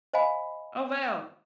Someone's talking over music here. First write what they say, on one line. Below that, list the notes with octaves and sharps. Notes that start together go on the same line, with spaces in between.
Oh wow.
C5 D#5 F5 G#5 B5